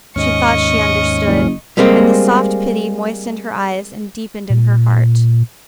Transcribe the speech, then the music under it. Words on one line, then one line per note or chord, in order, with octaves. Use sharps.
She thought she understood, and the soft pity moistened her eyes and deepened in her heart.
D#2 G#2 C#4 D#5 C#6
F#1
G3 G#3 A#3 C4
A#2